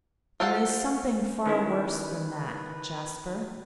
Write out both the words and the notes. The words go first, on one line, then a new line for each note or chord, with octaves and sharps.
'There is something far worse than that, Jasper.'
F4 A4 C5 F5 F#5
D#3 C#4 E4 B4